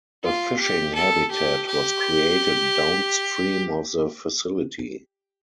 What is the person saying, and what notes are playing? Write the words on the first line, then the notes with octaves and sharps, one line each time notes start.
A fishing habitat was created downstream of the facility.
F4
G4
A4
G4
G4